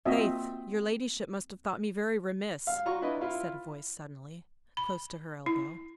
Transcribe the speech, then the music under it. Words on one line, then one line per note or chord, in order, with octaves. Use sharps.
"Faith! your ladyship must have thought me very remiss," said a voice suddenly, close to her elbow.
A#3 C4 F4 F#4 D#5 E5
F5
F4 F#4 A#5 C#6
D4 E4 B4 D#5
E4 F4 F5
B5
E4